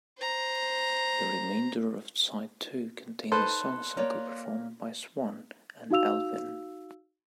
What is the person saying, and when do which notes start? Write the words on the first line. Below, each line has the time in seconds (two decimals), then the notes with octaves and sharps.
The remainder of side two contained the song cycle performed by Swann and Elvin.
0.18 C5 A#5
3.32 D#4 A4 B4 C5 C6 F#6
3.97 A#3 C#5 D5
5.90 D#4 F#4 F5 E6 F7